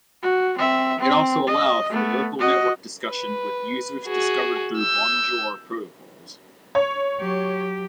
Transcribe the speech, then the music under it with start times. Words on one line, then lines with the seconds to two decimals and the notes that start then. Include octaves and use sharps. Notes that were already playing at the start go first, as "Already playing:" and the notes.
It also allowed for local network discussion with users discovered through Bonjour protocols.
0.23 F#4
0.58 C4 E5
0.99 C4
1.47 D#5
1.90 A3 B3
2.39 F#4 D#5
3.07 B4
4.06 F#4 G#4
4.78 E6 G6
6.75 C#5
7.17 F#3 G4